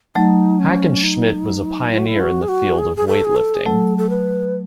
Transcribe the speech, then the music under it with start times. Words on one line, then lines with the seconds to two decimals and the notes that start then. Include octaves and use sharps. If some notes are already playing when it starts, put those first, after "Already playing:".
Hackenschmidt was a pioneer in the field of weightlifting.
0.15 F#3 A3 D#4
0.60 C#4
1.03 D#4
1.91 E4
1.99 F#4
2.07 E4
2.20 F#4
2.42 G#4
2.49 F#4
2.78 G#4
2.97 G#4
3.08 A4
3.25 G#4
3.36 A4
3.55 G#4
3.65 F#3 A3 A4
3.98 A4
4.10 B4